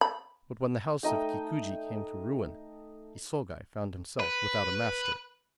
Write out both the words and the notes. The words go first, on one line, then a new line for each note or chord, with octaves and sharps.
But when the house of Kikuji came to ruin, Isogai found himself without a master.
B5
A3 D#4 D#5 G5
B4